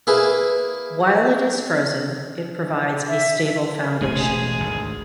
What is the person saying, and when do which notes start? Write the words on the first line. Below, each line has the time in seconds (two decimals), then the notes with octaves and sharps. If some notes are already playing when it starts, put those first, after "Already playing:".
While it is frozen, it provides a stable foundation.
0.07 A#3 E4 G#4 B4
3.08 E5
4.01 E1 A1 G#3 A3 G#4
4.61 G#1 D2